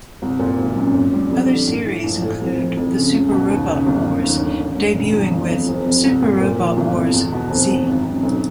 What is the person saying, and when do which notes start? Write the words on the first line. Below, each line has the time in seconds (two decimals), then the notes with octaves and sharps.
Other series include the Super Robot Wars, debuting with "Super Robot Wars Z".
0.22 C2
0.39 A#2
0.58 G#1
0.76 F#2
0.94 A#2
1.13 G3
1.31 F2
1.50 D3
1.67 A2
1.85 E3
2.04 A#1
2.22 A2
2.41 F1
2.58 F2
2.77 F2
2.95 C#3
3.12 C#2
3.32 B2
3.50 D#2
3.68 C#3
3.86 G1
4.04 F#2
4.22 D#2
4.41 D3
4.58 A1
4.77 G2
4.95 E1
5.13 E2
5.31 G1
5.49 F2
5.68 F1
5.86 F2
6.05 C2
6.22 A#2
6.41 A#2
6.59 F3
6.77 G1
6.95 F2
7.13 E2
7.32 B2
7.50 F1
7.69 E2
7.87 G#1
8.04 F#2
8.23 B1